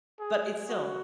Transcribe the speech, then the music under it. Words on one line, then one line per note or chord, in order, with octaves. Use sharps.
but it's still
G#4
F#4